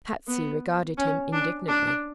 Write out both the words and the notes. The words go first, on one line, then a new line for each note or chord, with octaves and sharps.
Patsy regarded him indignantly.
B3
C#4
D4
D4